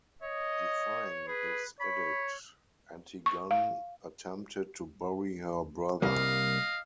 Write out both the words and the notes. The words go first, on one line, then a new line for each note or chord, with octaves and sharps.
Defying this edict, Antigone attempted to bury her brother.
C#5 D#5
G#4 B4
C#5 B5
C#6
F5
C2 G3 A#3 D#5 F5